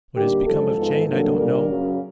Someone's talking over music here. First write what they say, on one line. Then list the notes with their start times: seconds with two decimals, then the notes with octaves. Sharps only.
What has become of Jane I don't know.
0.15 D3 G3 A#3 D#4 G4
0.45 F#2 D3 F3 G#3 A4
0.75 G#2 F3 G#3 B3 D#4
1.06 G2 D#3 F#3 A#3 D4 A4
1.36 A#2 G3 A#3 D4 A#4
1.67 F#2 C#3 F#3